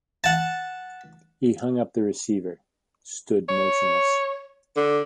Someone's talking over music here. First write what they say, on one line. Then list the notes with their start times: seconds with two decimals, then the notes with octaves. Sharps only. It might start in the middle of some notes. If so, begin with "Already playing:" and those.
He hung up the receiver; stood motionless.
0.24 F#5 A5
3.49 C#5
4.77 D3